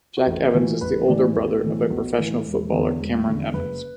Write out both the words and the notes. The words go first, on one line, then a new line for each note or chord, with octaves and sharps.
Jack Evans is the older brother of professional footballer Cameron Evans.
F#4
A1 A4
A2 E3 F#4
A1 B4
A2 E3 D5
B1 A4
A2 E3
B1
A2 E3
E1
E2 D3
E1
E2 D3
F#1 B4